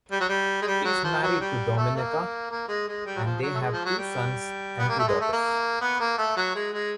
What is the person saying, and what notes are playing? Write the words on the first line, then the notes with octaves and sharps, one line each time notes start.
He is married to Domenica and they have two sons and two daughters.
G3
F#3
G3
G#3
G3
F#3
F3
F#3
G3
A3
A#3
A#3
G#3
G#3
G3
F#3
F3
F#3
A3
G#3
F3
F#3
G3
B3
A#3
A3
G#3
A3
A#3
B3
A#3
A3
F#3
G#3
G#3